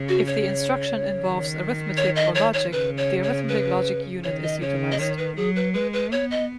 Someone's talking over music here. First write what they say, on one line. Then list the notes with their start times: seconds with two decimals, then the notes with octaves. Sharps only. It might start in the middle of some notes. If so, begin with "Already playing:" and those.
If the instruction involves arithmetic or logic, the Arithmetic Logic Unit is utilized.
Already playing: C#3
0.09 F#4
0.27 C#5
1.22 D#3
1.97 C#5
2.16 D#5
2.35 C#5
2.54 C#5
2.72 C#3 B4
2.97 C#5
3.23 C#5
3.48 B4
4.24 D#3 C#5
4.43 D#5
4.62 C#3 C#5
4.92 D#5
4.99 D#3 C#5
5.18 B4
5.37 F#3 G#4
5.56 B4
5.74 G#3 B4
5.93 B4
6.12 B3 C#5
6.31 D#5